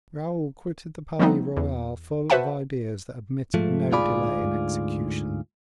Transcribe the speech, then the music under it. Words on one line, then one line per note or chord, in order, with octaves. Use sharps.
Raoul quitted the Palais Royal full of ideas that admitted no delay in execution.
F3 G3 A3 B3 C4 D#4
E2
F#4 B4 C5 E5 F#5 A5
G#2 F3 A3
D2 G#2 F4 G#4 D5 B5